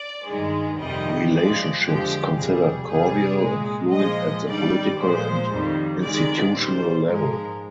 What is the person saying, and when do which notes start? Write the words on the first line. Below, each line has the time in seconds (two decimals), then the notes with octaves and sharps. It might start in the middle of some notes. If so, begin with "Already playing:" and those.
Relationships considered cordial and fluid at the political and institutional level.
Already playing: D5
0.28 G2 D#3 G#3
0.79 F2 C3 D#3 G3 D#5
1.32 G#2 F3 G#3 D5
1.83 F2 D3 F3 G#3 G4
2.36 F2 C3 G3 G#4
2.88 F2 C3 G3 G#4
3.40 A#2 G#3
3.92 A#2 F3 G#3 D#5
4.45 G2 D#3 G3 D5
4.97 A#2 F3 G#3 C5
5.50 F2 D#3 G3
6.02 F2 D#3 G#3 D5
6.54 A#2 G3 C5
7.06 G#2 F3 G#3 A#4